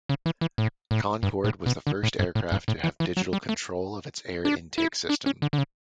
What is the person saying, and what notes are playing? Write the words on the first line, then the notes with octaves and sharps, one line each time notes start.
Concorde was the first aircraft to have digital control of its air intake system.
C#3
E3
E3
A2
A2
G2
A2
B2
D3
A2
G2
A2
G2
A2
E3
E3
F#3
G3
A3
D4
E4
D4
C#4
D3
D3
C#3